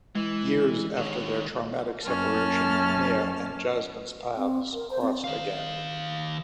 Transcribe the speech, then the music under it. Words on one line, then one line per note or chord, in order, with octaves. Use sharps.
Years after their traumatic separation, Nea and Jasmin's paths cross again.
E3 G#3
D#3 C#5
F#2 A#3 C#4 A5 F6
C4
A#4
C5
C4
D#3 F5